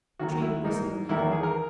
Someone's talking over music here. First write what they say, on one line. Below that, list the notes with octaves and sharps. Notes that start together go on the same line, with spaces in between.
The train whistled nearer.
D#2 D#3 F#3 A#3 F#4
E4
G#2 E3 A#3 D#4
E2 D#3 A#3 E4
G#4
A#4